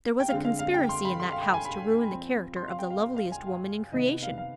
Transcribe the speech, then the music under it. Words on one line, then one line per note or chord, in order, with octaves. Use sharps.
There was a conspiracy in that house to ruin the character of the loveliest woman in creation!
G5
D3 G#3 C4 F5
F5
F5
G5
C6
B5
C6
F5
G5
G#5
B5
F3 C4
C6
F5
G5
F5
F5
F5
G#5
F5
C3 D#3 B3 D#5
F5
F5